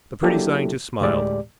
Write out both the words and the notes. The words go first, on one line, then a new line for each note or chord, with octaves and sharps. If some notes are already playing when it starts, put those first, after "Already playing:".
The pretty scientist smiled.
F#3 A#3 D4 E4 G4 A4
D2 A2 G#3 G4 D5